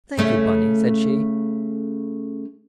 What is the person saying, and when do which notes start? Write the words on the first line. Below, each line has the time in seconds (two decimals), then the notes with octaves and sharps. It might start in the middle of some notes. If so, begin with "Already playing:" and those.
"Thank you, Bunny," said she.
0.17 C#3 A3 C#4